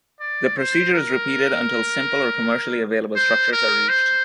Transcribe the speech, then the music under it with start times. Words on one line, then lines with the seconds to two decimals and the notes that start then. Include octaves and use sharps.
This procedure is repeated until simple or commercially available structures are reached.
0.21 D5
0.57 C5
0.94 A#4
3.15 C5
3.52 A#4
3.89 C5